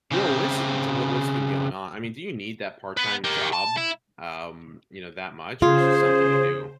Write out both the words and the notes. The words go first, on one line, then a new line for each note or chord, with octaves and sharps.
you know, listening to what what's been going on I mean, do you need that part-time job, um, you know, that much, or it's just something to do?
C#3 C4
B3 B4
G4 A#4
A5
E4
C#3 F4 G#4 C5